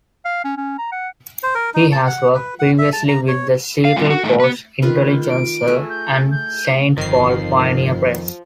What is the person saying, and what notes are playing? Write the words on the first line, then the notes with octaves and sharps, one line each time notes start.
He has worked previously with the Seattle Post-Intelligencer and Saint Paul Pioneer Press.
F5
C#4
C#4
A#5
F#5
C5
A#4
D#4
A5
F#5
B4
F#5
E5
A5
A#5
C#5
F5
A#2 G3 C4 F4
F#4
A2 D#3 E3 A3
B3 B4
D#3 F4 B4
D7
A3 G#4
G6
G6
G1 F2 D#3 F3 C7